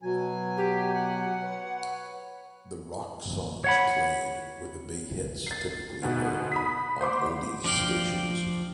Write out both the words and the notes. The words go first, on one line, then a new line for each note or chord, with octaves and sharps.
The rock songs played were the big hits typically heard on oldies stations.
B2 F#3 G#5
G4
F#5
B4 C#5
C#5 F#5 B5
A6 C7
D2 G#2 B2
B5 D#6 B6
C5 F#5 C6 D6
F3 D4 D5 F5 G5